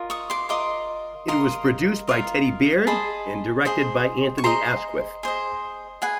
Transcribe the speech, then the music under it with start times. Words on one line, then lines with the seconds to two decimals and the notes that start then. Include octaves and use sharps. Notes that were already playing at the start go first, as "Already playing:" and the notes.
It was produced by Teddy Baird and directed by Anthony Asquith.
Already playing: F4 A#4 D#5
0.10 C#6 D#6
0.30 C6 D6
0.49 F4 A#4 D#5 C6 D6
1.28 F4 A#4 D#5 A#5 C6
2.07 F4 A#4 D#5
2.87 G#4 C5 D#5 A5 B5
3.65 G#4 C5 D#5
4.38 C#6
4.44 G#4 C5 D#5 A#5 C6
5.23 G#4 C5 D#5
6.02 G#4 B4 F#5 G#5